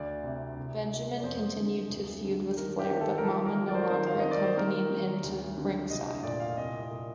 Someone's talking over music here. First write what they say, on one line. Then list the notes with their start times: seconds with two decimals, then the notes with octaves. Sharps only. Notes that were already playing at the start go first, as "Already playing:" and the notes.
Benjamin continued to feud with Flair, but Momma no longer accompanied him to ringside.
Already playing: D2 D5
0.24 C3
0.56 C2
0.90 C3
1.18 D5
1.23 F2 C5
1.57 D3
1.90 D2
2.24 D3
2.57 D#3 A#4
2.79 G4
2.91 D#3
3.01 A4
3.18 A#4
3.24 F3 A4
3.46 A#4
3.57 F3
3.68 D5
3.75 C5
3.83 A#4
3.90 D#3 C5
4.07 F5
4.19 D#3 D#5
4.31 D5
4.44 C5
4.57 D#3 A#4
4.90 D#3
5.24 D2
5.58 D3
5.90 C2 D#5
6.07 D#5
6.23 A#2 D5
6.40 F5
6.57 C2 D#5
6.91 A#2